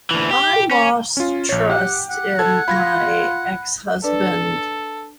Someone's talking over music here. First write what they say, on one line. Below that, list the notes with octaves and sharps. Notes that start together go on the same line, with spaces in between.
I lost trust in my ex-husband
D2 E3
G4
C#4
C#4 F4
A#1 C#5
G4 F#5
F#5
A4 G#6
F4 B5 G#6 A#6
D4 A4 B4 D5